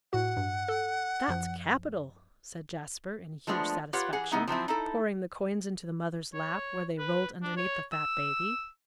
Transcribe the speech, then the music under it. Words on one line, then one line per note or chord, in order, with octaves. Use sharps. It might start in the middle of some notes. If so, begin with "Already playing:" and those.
"That's capital," said Jasper, in huge satisfaction, pouring the coins into the mother's lap, where they rolled underneath the fat baby.
A2 F#4 F#5
G2
A4
F#2 F3
F3 G#3 A3 B3 D4
F4 G4 B4 C#5 F#5
E3 G#4 F#5
C3 E3 B3 D#4 E4
F3 F#3 C4 E4
D#4 E4 A4
C#5
B4
D4
C#5
E6